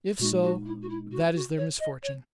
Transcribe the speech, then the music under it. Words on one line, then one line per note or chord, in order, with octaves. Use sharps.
If so, that is their misfortune.
A#2 G#3 D#4 F#4
F#4
E4
F#4
E4
F#4
F#4
C#5
D#5
C#5